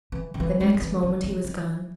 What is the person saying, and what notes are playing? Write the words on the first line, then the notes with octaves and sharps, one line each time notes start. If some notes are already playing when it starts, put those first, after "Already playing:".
The next moment he was gone.
E3
D#3
E3
G#3
F#3
E3
E3
E3
D#3